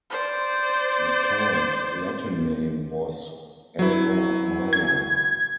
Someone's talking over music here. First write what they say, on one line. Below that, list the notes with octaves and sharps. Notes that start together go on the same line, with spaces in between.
The town's Latin name was "Alba Marla".
C5 D5
F#3 E4
G#6